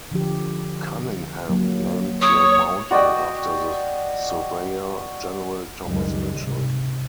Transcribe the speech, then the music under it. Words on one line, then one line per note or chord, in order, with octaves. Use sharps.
Cunningham named the mountain after the Surveyor-General, Thomas Mitchell.
D3 F3 G4
F#3 G3 A#3
C#5 D#6
F#4 D5 D#5 G5
C#2 F#2 D#3 G3 G#3
G#2 C3